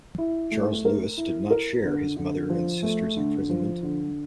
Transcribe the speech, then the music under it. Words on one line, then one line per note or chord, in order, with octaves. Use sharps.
Charles Louis did not share his mother and sister's imprisonment.
E4
A3
A#4
E4
A#4
D3
D3
F3
A3
D3
F3
D3